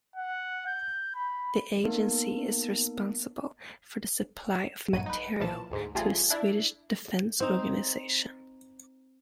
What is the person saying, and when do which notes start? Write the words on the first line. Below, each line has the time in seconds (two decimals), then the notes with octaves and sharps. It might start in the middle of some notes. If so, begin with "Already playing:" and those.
The agency is responsible for the supply of materiel to the Swedish defence organisation.
0.16 F#5
0.67 G6
1.15 B5
1.84 A#3 B3 D#4 A#4
4.93 A#1 G2 F#3 D#7
5.06 D#4 B4
5.40 B1 A#2 E3 F3 A5
5.70 D2 G#2
5.95 A1 G3 A3 F4 G#4
6.30 D4 E4
7.40 C4 D#4